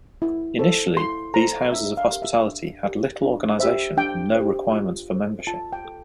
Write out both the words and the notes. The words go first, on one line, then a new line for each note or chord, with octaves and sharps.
Initially, these houses of hospitality had little organization and no requirements for membership.
E4
A4 C5
E4 C6
A4 C5 A#5
D4 E5
F5
G4 A#4
E5
D4
G4 A#4
D4
G4 C5 E5
D4 G5
G4 C5
F4
A4 C5
F4 A5
G5
A4